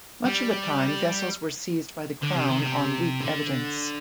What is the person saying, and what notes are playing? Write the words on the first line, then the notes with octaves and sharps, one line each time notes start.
Much of the time vessels were seized by the Crown on weak evidence.
G3
D3
C3
D#3
C3
D3